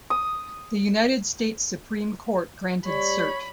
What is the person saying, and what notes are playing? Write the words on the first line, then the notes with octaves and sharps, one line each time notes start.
The United States Supreme Court granted cert.
D#6
G3 C#5 B5